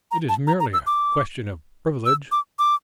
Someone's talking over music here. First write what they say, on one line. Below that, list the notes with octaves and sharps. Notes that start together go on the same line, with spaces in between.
"It is merely a question of privilege."
A#5
A5
A#5
A#5
E6
D6
E6
D6
D6